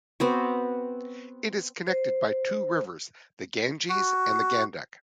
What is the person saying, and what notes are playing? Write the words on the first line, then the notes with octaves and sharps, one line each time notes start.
It is connected by two rivers, the Ganges and the Gandak.
B3 C4 F#4
C5
F#4